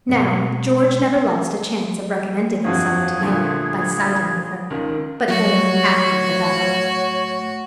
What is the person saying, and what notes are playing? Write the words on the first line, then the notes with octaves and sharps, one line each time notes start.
Now, George never lost a chance of recommending himself to Mary by siding with her--but only after the battle.
B2 G#3 B3 C4
G1 F2 F#4 G#4
A#2 D3 A3
C#2 D#3
A2 F#3 F#4 C#5